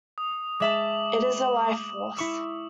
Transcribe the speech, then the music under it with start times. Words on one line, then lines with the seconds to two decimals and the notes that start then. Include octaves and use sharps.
It is a life force.
0.18 D#6
0.60 G#3 E5 A5 D6 F#7
2.17 E4 C#6 E6